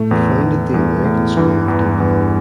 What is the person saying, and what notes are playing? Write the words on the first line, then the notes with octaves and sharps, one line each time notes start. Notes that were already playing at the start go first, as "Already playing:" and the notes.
He founded the American School of Doha.
Already playing: A2 A3
E2
E2
E2 G2
G2
E2 A2
G2 E3
E2
E2